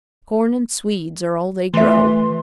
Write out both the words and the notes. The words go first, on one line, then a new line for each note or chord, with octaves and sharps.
Corn and swedes are all they grow.
E3 A3 F4 E5 C6